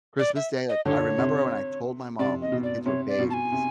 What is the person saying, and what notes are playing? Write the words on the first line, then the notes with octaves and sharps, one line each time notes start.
Christmas Day, like, I remember when I told my mom and the kids were babies.
D5
E5
D#5
D3 C#5
C3
C3 D5
D#5
B2
D5
C3 C#5
D5
B2
A5
G#5
C3